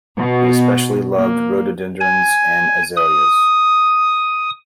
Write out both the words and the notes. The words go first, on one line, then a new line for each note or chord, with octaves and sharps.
He especially loved rhododendrons and azaleas.
B2
A#3
G#5
D#6